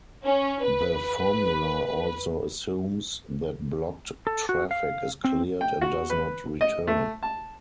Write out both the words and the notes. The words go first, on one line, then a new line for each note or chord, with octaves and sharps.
The formula also assumes that blocked traffic is cleared and does not return.
C#4
B4
A4
F#4
F5
C4
G5
F#4
B4
D#5
A3
A5